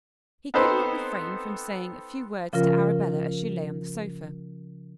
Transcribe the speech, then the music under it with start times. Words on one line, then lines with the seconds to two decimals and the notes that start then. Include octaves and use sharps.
He could not refrain from saying a few words to Arabella as she lay on the sofa.
0.54 B3 C4 D#4 A4 B4 C5
2.53 C#3 F3 C#4 F4 A#4